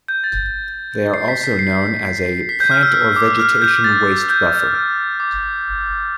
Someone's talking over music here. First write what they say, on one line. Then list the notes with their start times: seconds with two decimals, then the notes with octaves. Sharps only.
These are also known as a "Plant or Vegetation Waste Buffer".
0.08 G6
0.24 A6
1.14 C7
1.28 B6
1.44 B6
1.59 C7
2.49 B6
2.60 G6
2.71 F6
2.83 E6
2.94 E6
3.16 D6
3.39 F6
3.62 G6
3.84 A6
4.30 G6
4.74 F6
5.20 D6